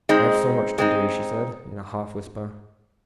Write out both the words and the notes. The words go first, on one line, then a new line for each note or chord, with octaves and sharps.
"I have so much to do," she said, in a half-whisper.
G#3 C4 D#4
G#3 C4 D#4